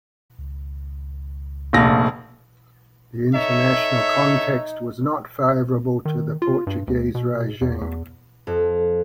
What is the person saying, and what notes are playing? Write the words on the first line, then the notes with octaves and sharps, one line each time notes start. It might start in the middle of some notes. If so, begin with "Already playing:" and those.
The international context was not favourable to the Portuguese regime.
C#2
F1 A#1 A#6
D#4 A4 C#5 E5
D#3
F4
G2
D2
B2
E2
E2
F2